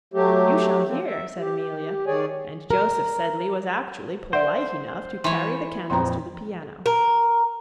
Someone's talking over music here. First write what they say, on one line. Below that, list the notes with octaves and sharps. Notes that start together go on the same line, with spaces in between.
"You shall hear," said Amelia; and Joseph Sedley was actually polite enough to carry the candles to the piano.
F#3 A3 G4
F3 C4
E5
G4
D#3 G#4 C#5 D5 G#5
A#4
C5 D5 E5 F#5
E3 C#5 C6
A#1 F2 C4 A#5 C6
A#4